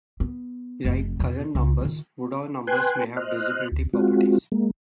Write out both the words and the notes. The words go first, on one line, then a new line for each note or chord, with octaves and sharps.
Like Cullen numbers, Woodall numbers have many divisibility properties.
B3
F1 F2
E2 B2
C#2
D#3 F4
B4 G5 G#5 C6 F#6
C5 D#5 F6 F#6
D2
G#3 C4 F4 F#4
G#3 A#3